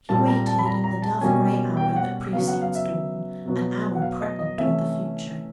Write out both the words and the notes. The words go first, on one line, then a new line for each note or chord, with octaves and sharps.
She waited in the dove-grey hour that precedes dawn--an hour pregnant with the future.
A#2 G3 C4 A5
A#5
A5
B5
A#5
A#5
A5
B2 G3 A#3 C#4 G#5
G5
G5
F#5
C#3 F#3 B3 F5
F#5
F5
E5
B2 F#3 B3
F#5
F5
D#5
D#5
C3 E3 A3 C#4 E5